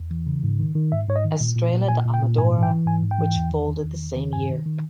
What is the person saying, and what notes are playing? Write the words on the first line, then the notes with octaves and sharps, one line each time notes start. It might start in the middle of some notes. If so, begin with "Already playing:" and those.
Estrela da Amadora which folded the same year.
Already playing: E2
E3
C#3
G#2
D#3
D#3
G#2 E5
G#2 C#5
D#5
D#3
A#2
A#2
A#2
A#2 G#5
A#2
G5
A#2
G#2 G#5
E3
G5
E3
G#2 G#5
G#2
G5
E3
E2
D#3
D#3
E2
E2
D#3
G2 G#5
D#3
D#3